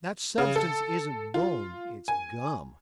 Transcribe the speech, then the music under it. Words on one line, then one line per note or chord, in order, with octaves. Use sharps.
That substance isn't bone, it's gum.
C#3
A4
F4
G#5